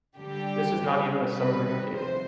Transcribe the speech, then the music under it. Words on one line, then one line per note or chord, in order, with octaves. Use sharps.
This is not even a submarine cable.
D3 G3 G4
C3 G3
C3 D#3 G3 B4
C3 F3 C5